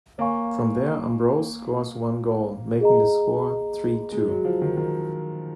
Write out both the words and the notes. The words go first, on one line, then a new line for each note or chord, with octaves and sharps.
From there, Ambrose scores one goal-making the score three-two.
A#3 C#5 F5 G#5 C#6
G#4 D#5 A#5
G#3
F#3
F3
D#3
D#3